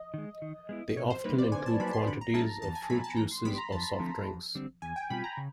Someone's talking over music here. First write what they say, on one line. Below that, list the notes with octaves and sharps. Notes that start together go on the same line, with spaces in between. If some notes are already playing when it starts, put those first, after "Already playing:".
They often include quantities of fruit juices or soft drinks.
Already playing: D#5
D#3 G#3
D#3
G#3 B3 E4
B2 C#5
C5
G3 A#3 D#4 B4
D5
D3 G#5
A5
F#3 A#3 D#4 F#4 B5
C6
D3 B5
A#5
F3 G#3 C#4 E4 A5
E2 A5
G#5
B2 F#3 A3 B5
A5
E3 A#5
C6
G#3 B3 D4 G4 B5
A#5
F2 A5
D3 F3 A3 C4
F2
D3 G3 C4
E2 G#5
G5
B2 G3 C4 F4 B5
A#5
C#3